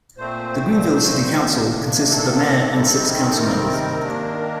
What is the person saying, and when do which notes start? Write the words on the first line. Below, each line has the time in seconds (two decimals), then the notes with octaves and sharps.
The Greenville City Council consists of the mayor and six council members.
0.17 A#2 A3 C4 C5
1.45 C3 D#3 A#3 D4
2.10 A4
2.74 C3 D#3 G3 C4
3.27 A4
3.38 A#4
4.02 D#3 A#3 D4